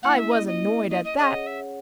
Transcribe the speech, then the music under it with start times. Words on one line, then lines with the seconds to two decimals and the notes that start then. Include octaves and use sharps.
I was annoyed at that.
0.02 A#3 C#4 E4 F#5
0.17 E5
0.31 D#5
0.46 D#5
0.89 D#5
1.04 D#5
1.17 C#4 G#4 C#5 D#5 F#5
1.46 E5